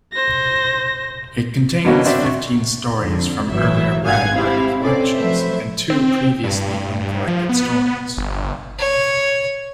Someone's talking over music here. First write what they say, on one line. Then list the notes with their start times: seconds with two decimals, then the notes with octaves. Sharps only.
It contains fifteen stories from earlier Bradbury collections, and two previously uncollected stories.
0.13 C5 A#6
1.85 G2 B2 F#3 A#3 C#4
2.05 C4 D4 F#4 E5
2.25 C#6
3.00 F2 D3
3.48 G#1 E3 F#3 E5
4.02 G#1 G2 F5 F#5 G#5 G#6
4.34 C4 E4 G4 F5
4.83 C4 C#4 A4 D5
5.14 F3 F#3 A3 B4 C5 E5
5.90 C4
6.44 G2
7.00 G2
7.28 F3
7.49 B3
8.17 G1
8.79 C#5